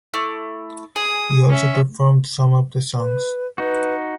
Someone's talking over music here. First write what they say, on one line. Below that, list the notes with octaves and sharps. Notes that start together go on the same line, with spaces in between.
He also performed some of the songs.
A3 E4 D6
G#4 D#6
C#4 E5
B4
D#4 F#4 B4